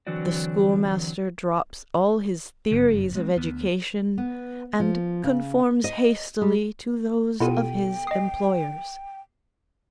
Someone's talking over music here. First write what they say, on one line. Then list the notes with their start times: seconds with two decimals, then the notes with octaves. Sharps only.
The schoolmaster drops all his theories of education and conforms hastily to those of his employers.
0.07 D3 E3 F#3 C4 F#4 D5
2.71 F#1 G2 C#3
3.15 G#3 B3 C4
3.37 D2 B3
4.18 B3
4.80 F3
5.23 C#3
5.84 D#5
6.42 G3
7.40 B2 B3 E4 F4 G4 A4 G5 D#7
8.07 D#5 D#6 C7